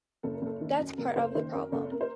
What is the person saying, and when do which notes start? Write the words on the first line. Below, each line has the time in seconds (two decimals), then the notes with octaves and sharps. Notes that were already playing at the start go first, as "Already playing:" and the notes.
That's part of the problem...
0.23 F#1 A4
0.34 A#4
0.42 F#1 A4
0.61 D#3
0.79 F#2
0.98 F#1 A#4
1.11 A#4
1.16 F#1 C5
1.35 D#3 C5
1.54 F#2 A#4
1.72 F#1 A4
1.92 A#4
2.01 C5